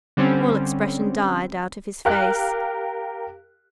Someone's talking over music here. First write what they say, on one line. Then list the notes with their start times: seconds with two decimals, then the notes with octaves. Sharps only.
All expression died out of his face.
0.17 D3 G3 C4 C#4
2.05 G4 A#4 F5 F#6